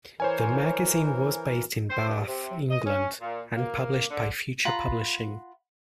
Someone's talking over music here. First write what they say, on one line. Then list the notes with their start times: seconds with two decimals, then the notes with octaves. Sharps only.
The magazine was based in Bath, England and published by Future Publishing.
0.20 E3 A#4 C5 C#5 G#5
1.90 C5
2.08 G2
2.27 C3
2.70 D#5
2.86 C#4
3.20 A#2
3.56 A#3
4.10 D3
4.65 F4 F#5 A#5 B5